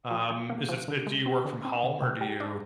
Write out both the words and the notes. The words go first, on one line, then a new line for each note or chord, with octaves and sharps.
Um, is it so do you work from home or do you
F3
F3
A#3
F3
D3
G#3
C4
D3
C4
C3
C3
G3
D4